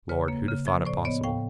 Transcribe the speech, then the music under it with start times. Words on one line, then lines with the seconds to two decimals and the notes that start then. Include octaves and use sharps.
"Lord--who'd have thought it possible!"
0.09 C#3 B4 C#5
0.28 A#3
0.48 C#3
0.67 F3
0.85 A2 C5 D5
1.05 B3 C#5 D#5
1.24 A2 F5 G5